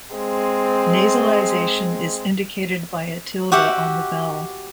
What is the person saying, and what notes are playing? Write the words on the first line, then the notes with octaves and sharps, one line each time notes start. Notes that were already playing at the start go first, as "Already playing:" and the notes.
Nasalisation is indicated by a tilde on the vowel.
G#3 C4
F#4 G4 E5 F#5